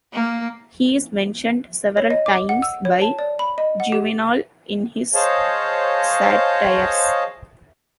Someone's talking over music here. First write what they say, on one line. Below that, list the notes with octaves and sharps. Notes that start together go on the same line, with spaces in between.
He is mentioned several times by Juvenal, in his "Satires".
A#3
C#5
D#5
D6
F#5
E6
C#5
A5
D5
B5
D#5
F#5
G4
G#4 C5 C#5 D#5 F5 A5